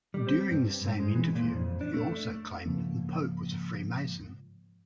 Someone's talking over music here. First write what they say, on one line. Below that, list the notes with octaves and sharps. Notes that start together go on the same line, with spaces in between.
During the same interview, he also claimed that the Pope was a Freemason.
G3
C4
G2
G#2
G#3
E3
A#2
F2
D4
A3
G#2 C#3 F3 A#3